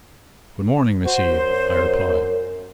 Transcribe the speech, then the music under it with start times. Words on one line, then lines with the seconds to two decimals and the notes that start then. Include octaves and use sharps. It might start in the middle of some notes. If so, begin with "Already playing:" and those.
"Good morning, Miss Eve!" I replied.
1.05 F#4 C5
1.31 F#2